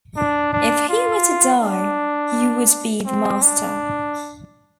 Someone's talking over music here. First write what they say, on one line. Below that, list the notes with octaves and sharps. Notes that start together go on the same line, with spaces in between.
If he were to die, you would be the master.
D4
D4
F4
D4
C4
D4